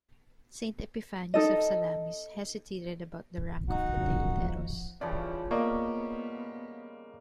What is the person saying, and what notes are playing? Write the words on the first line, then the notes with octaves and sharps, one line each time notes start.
Saint Epiphanius of Salamis hesitated about the rank of the deuteros.
D#4 A4 D#5
D#4 F#4 F#5
F#2 C#3 F3
D#2 F3
C#3 E3 F3 G3 D5
A#3 B3 D5 D#5 C#6